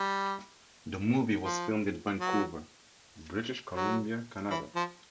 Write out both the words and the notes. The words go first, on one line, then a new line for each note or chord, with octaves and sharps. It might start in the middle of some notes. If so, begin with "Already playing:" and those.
The movie was filmed in Vancouver, British Columbia, Canada.
Already playing: G3
F3
F#3
F#3
E3
F3